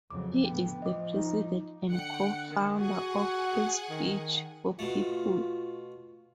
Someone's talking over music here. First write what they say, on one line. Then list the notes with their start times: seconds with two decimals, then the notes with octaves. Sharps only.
He is the President and Co-Founder of Free Speech for People.
0.10 F2 C#3 F#3 D6
0.45 A2 D3 B3 G5
0.82 F3 D#5 D6
1.13 D#4
1.91 D3 F#5 G5 C#7
2.50 D#3
2.80 F#4 G#4 F#5 G#5
3.90 D#3
4.79 B2 A3 F4